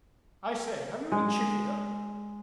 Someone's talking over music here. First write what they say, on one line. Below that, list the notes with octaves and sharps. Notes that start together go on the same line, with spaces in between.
I say, have you any chikhir?
G#3